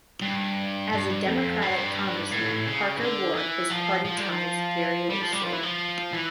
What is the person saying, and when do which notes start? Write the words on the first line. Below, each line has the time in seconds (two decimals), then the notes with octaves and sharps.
As a Democratic congressman, Parker wore his party ties very loosely.
0.22 G2
0.92 G2
1.27 F2
1.62 G2
2.31 A2
2.66 C#3
2.96 E3
3.00 D3
3.35 E3
3.70 F3
4.05 F3
4.17 G3
4.29 F3
5.09 G3
5.21 F3
5.32 G3
5.43 F3
5.52 E3
5.63 F3
6.13 E3